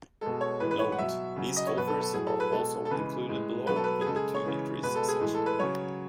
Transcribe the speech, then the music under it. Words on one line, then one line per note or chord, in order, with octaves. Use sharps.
Note: These golfers are also included below in the "Two victories" section.
B2 G#3 A4
C#5
A2 E3 G#3 B4
B4
C#5
F#5
B2 F#3 E5
C#3 F#3
D#5
C#5
B2 F#3 B4
A4
A4
A2 F#3 G#4
A4
B4
B2 G#3 A4
A4
C#3 E3 G#3 B4
A2 G#3
B2 F#3 B4
A4
B4
G#4
C#3 G#3 A4
G#4
C#5
C#3 E3 G#3
B2 G#3 B4
A4
G#4
A2 E3 G#3
A4
B4
C#3 F#3 C#5